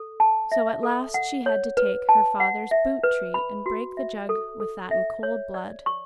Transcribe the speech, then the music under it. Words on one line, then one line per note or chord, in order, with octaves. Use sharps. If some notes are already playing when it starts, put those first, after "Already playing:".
So at last she had to take her father's boot-tree and break the jug with that in cold blood.
Already playing: A4
A5
E5
A4
F#5
C#5
B4
A5
F#5
E5
B4
B5
F#4
E5
A4
A4
E5
C#5
D5
C#6